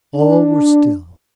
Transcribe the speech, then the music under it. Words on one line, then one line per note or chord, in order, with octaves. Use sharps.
All were still.
D4